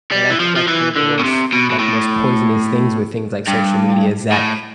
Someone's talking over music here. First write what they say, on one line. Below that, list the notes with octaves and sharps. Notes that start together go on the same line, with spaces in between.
And I think that's one of the worst, like, most poisonous things with things like social media is that
G3
E3
F3
F3
E3
D3
B2
C3
B2
B2
A2
G2
A2